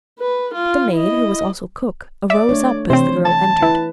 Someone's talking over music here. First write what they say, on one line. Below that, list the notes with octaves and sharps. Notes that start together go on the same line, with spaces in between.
The maid--who was also cook--arose up as the girl entered.
B4
F4
E4 D#5
D5 E5
A3 D4 C#5
C3 E3 C4 C5 C#5
A5
E4 B4